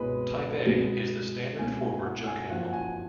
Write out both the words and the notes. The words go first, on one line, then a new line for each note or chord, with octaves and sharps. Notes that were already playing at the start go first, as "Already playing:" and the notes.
"Type A" is the standard forward jughandle.
Already playing: C#2 B2 G#3 C#4 B4
C#2 B2 G#3 B3
C#2 B2 A#3 C#4 G#5
G#5
F#5
G#5
F#2 F3 A#3 F#5
G#5